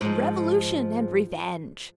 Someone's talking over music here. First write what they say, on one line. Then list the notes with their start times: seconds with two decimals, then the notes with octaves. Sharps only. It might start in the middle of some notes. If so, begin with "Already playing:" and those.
Revolution and Revenge!
0.01 G#2 F3